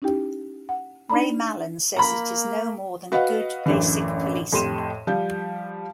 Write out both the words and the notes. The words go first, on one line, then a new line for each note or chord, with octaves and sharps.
Ray Mallon says it is no more than good, basic policing.
C#4 D#4 E4 G4 G5
F#5
D4 D#4 D5 A#5 B5
A#3 A#5 B5
F#4 B4 D#5 F5 F#5
A1 F#2 D3 E3
F2 A2 G4 C6 D#7 E7
F3 G3 G6